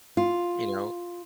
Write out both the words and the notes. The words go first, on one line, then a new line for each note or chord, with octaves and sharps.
you know?
F4